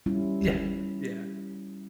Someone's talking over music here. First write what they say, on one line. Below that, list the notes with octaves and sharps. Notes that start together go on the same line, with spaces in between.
Yeah, yeah,
G3 C#4 E4 F4